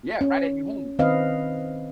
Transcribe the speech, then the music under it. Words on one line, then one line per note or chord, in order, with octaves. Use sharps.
Yeah, right at your home, like
C#4
D#3 C4 B4 D#5 F5